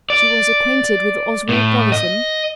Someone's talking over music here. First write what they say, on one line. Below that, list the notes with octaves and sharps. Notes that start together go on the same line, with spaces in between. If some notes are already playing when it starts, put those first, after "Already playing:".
"She was acquainted with Oswald Brotherson?"
D5
A2
D#5